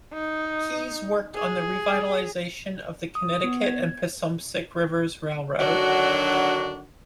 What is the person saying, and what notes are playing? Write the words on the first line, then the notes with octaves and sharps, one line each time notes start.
Keyes worked on the revitalization of the Connecticut and Passumpsic Rivers Railroad.
D#4
G#4
D#6
B3
G#6
D3 D#3 F#3 D4 F#4